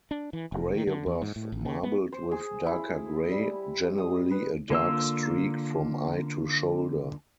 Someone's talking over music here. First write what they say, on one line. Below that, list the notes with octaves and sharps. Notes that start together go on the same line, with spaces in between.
Grey above, marbled with darker grey; generally a dark streak from eye to shoulder.
D4
E3
F1
D#3
D3
E2
G#2
A2
A1
C#3
B3
C5
G#4
E4
G3
D#6
B4
D3 A#3 F4 E6